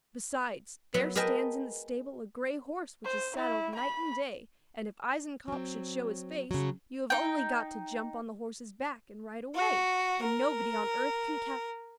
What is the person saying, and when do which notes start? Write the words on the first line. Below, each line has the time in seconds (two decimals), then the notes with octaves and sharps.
Besides, there stands in the stable a grey horse which is saddled night and day; and if Eisenkopf should show his face, you have only got to jump on the horse's back and ride away, and nobody on earth can catch you.
0.94 F#3 B3 E5
1.15 G#4 A#4 B4 D#5 G5 A5
3.05 C5
3.35 E4
3.74 B5
5.48 F#3 C4
6.51 C#3 F#3
7.10 D#4 G5
9.53 F#4
10.23 A#4